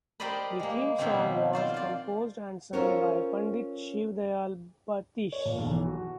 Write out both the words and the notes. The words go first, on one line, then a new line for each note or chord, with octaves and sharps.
The theme song was composed and sung by Pandit Shiv Dayal Batish.
G4 A#4 C5 D5 D#5 B5
G#3 A#3
B2 D#3 F3 F#3 A#3 C4
F4 C5 D5
F4 D5
C#4 F4 A4 A#4 C5 C#5
C#5
A#2
B1
E3
F#4